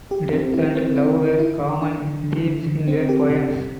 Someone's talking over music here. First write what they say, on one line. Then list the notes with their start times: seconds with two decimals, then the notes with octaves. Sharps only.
Death and love were common themes in her poems.
0.11 G4
0.33 C4
0.54 E4
0.75 C4
0.96 E4
1.17 D3
1.39 E4
1.59 D3
1.82 D4
2.02 D3
2.24 D3
2.45 D3
2.67 D3
2.88 C4
3.09 G4
3.30 C3
3.51 C3